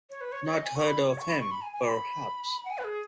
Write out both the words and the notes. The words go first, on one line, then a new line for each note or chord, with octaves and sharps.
Not heard of him, perhaps?
C#5
B4
C#5
C#5
D#5
G#5
C#6
B5
C#5
C#6
B5
C#6
B5
G#5
G#5
B5
F#5
G#5
B4
G#4